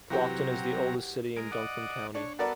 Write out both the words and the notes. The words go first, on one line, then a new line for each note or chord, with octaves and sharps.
Clarkton is the oldest city in Dunklin County.
C3 E3 F#3 F#4 G4 A#5
G#3 A#4 D7
D5 D#5 F#5
D4 C#5
B3 F#4 A4 A#4 D5